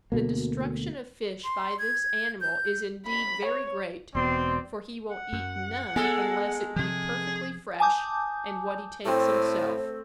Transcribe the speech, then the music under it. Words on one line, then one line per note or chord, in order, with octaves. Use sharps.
The destruction of fish by this animal is, indeed, very great, for he will eat none unless it be perfectly fresh, and what he takes himself.
D2 B2 A#3
C6
G#6
G6
B5
C#5
E1 B2 C4 D5 C6
F#5
F#2
G#3 B3 A4 G#5
C3 F3 G#4
G#5 A5 D6 D#6 G6
A2 A3 C4 C5